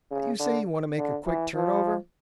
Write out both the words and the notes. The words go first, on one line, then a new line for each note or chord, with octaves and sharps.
But you say you want to make a quick turn-over?
C#3
D3
D3
E3
F3